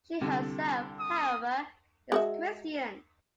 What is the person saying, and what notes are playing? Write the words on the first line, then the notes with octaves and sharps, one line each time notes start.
She herself, however, is Christian.
C2 D3 G4
D#6
G#3 F#4 E5